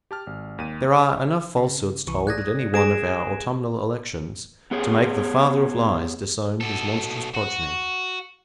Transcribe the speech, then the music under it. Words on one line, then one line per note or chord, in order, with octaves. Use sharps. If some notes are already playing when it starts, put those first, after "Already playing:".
There are enough falsehoods told at any one of our autumnal elections to make the "Father of Lies" disown his monstrous progeny.
G4 A5 F6
G#1
D#2 D#7
C#3
C2 E3 C#6
D5 D#6 F#6 G#6 A#6
G#3 C4 G#4 A#6 D7 E7
B3 G4 G#4 C#5
B2 A4
F#4